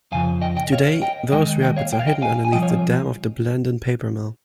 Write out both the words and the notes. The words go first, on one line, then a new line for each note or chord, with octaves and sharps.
Today, those rapids are hidden underneath the dam of the Blandin Paper Mill.
F2 C#3 F3 F5 G#5
D#5 G5
D#5 G5
C#5 F5
D#5 G5
D#2 D#3 G#3 D#5 G5
D#5 G5
C#5 F5
G5
F5
D#5 G5
F5 G#5
G#5
C2 C3 F3 D#5 G5
C#5 F5